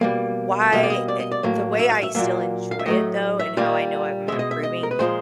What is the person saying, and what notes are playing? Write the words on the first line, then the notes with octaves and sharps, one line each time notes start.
why eh the way I still enjoy it, though, and how I know if I'm improving
B2 G3 A#3
B2 G3 A#3 D#5
D5
D#5
D5
D#5
D5
A2 F#3 A#3
E5
F5
E5
A#2 F#3 A#3 E5
F5
E5
A2 F#3 A3 D#5
E5
A#2 G3 A#3 F5
B2 G#3 E5
D#5
E5
D#5
A#4
B4
A#2 F3 G#3 C5